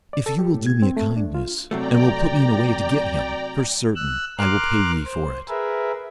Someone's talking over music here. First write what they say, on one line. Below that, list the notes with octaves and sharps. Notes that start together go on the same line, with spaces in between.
"If you will do me a kindness, and will put me in a way to get him, for certain I will pay ye for it."
D5
A4
G4
A2
G#6
C4
A3
D4
F4
C3 F#3 A3 D5 G5 A#5
E6 F#6
A#4 C6 D6 F6 F#6
C5
G#4 A#4 B4 E5